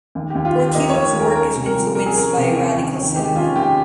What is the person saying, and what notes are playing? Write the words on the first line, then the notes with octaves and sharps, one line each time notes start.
Portillo's work is influenced by radical cinema.
D#2
G4
D#2
F4
D#3
G4
A#3 D#5
C#5
D#2
D#2 A#4
C#4 A#4
C3
A#4
F3
A#3 A#4
G#4
C#4 A#4
C3
C#4
D#2
D#3
G#3 G4
C#4 F4
D#2 G4